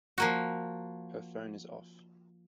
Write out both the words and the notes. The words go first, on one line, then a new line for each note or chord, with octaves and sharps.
Her phone is off.
F3 A#3 F#4